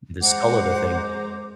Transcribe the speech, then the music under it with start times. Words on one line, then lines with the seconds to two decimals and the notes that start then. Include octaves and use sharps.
in the skull of the thing.
0.21 G#3 C5 F#5 A#5 D6